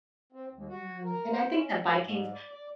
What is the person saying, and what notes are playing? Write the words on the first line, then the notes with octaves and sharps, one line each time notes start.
Mm, and I think that Vikings
C4
D#2
F#4
A#4
C5
C#4
F#2
G#2
D5
D5